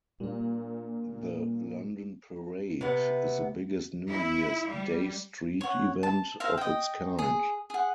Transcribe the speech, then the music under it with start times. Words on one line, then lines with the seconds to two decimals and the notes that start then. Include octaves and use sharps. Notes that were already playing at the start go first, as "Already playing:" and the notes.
The London parade is the biggest New Year's Day street event of its kind.
0.20 A#2 G3 D4
2.81 C3 B3
4.08 E4
4.68 G3
5.61 C#5 F#5
6.03 A5
6.40 A#4 C5 E5 F5
6.58 D#5 G5
7.19 G#4
7.70 G#4 F#5